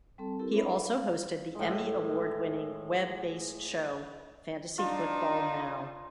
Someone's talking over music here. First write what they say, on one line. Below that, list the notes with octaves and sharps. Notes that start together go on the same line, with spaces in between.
He also hosted the Emmy-Award Winning web-based show "Fantasy Football Now".
G3 C4 A4 A5
C4 E4 G4 A4 A#4
D4 B4 C#5 E5 B5
F5
F5
A2 G#3
D4 D#4 F4